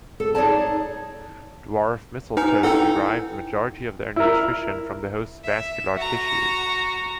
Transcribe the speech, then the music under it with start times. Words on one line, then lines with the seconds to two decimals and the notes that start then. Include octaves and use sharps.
Dwarf mistletoes derive the majority of their nutrition from the host's vascular tissues.
0.20 A4
0.35 D#4 G#4 C#5 D5 A5
2.37 D#4 B4 G#5
2.63 D#4 E4 A4 F#5 G5
4.16 E4 A#4
5.44 E5
5.96 F#4 A#5